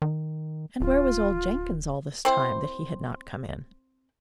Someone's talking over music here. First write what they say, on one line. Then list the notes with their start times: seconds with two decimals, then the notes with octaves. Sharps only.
And where was old Jenkins, all this time, that he had not come in?
0.02 D#3
0.80 D1 F4
2.25 C4 E4 C5